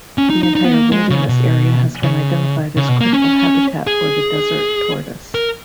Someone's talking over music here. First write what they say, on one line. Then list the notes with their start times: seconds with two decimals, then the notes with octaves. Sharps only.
The entire wilderness area has been identified as critical habitat for the desert tortoise.
0.18 C#4
0.30 D#4
0.43 D#4
0.55 D#4
0.65 B3
0.74 A#3
0.92 G#3
1.10 C#3
1.29 B2
2.03 C#3
2.77 C#3
2.89 B2
3.01 A#3
3.13 C#4
3.87 G#4
5.35 A#4